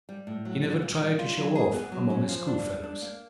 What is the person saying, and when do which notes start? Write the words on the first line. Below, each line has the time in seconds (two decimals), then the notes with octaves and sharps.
He never tried to show off among his schoolfellows.
0.09 G3
0.27 A2
0.45 F#3
0.64 A#2
0.82 A#2
1.00 G3
1.19 F4
1.37 F#3
1.55 G#4
1.74 B3
1.92 F#3
2.10 C#4
2.29 F3
2.48 D4
2.66 G3
2.83 D4
3.02 A#3